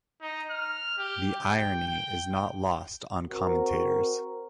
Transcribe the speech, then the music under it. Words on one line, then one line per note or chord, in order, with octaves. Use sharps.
The irony is not lost on commentators.
D#4
F6
G4
G5
G5
C4 F#4 A#4